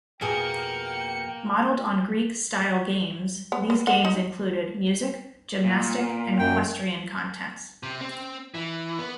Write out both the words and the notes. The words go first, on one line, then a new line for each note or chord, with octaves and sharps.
Modeled on Greek style games, these games included "music" "gymnastic" and "questrian" contents.
F2 B2 A#3 G#4 A#4 G5 C#7
B3
B3
F#5
D#4
A#2
F#2 G5
C3
C4
E3
B3